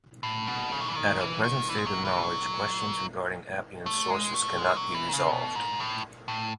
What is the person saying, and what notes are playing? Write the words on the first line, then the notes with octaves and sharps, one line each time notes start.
At our present state of knowledge questions regarding Appian's sources cannot be resolved.
A2
B2
C#3
F#3
E3
D#3
E3
D#3
E3
G#3
F#3
E3
F#3
A3
G#3
A3
G#3
F#3
E3
D#3
C#3
B2
G#2
A2
A2